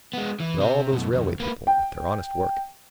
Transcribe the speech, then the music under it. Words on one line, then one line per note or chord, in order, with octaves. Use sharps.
And all those railway people, with their honest work!
G#3 B3
E3
C3 C4
F#2 B2
C2 F2
A#3 B4
G5